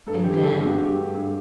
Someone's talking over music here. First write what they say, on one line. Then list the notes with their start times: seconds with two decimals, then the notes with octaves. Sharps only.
"And then?"
0.07 G2 A4
0.15 G#4
0.24 D3 G4
0.31 G#4
0.43 G2 A4
0.50 G#4
0.55 G4
0.60 G2
0.66 F#4
0.78 G2 G4
0.96 G2
1.14 G2 G#4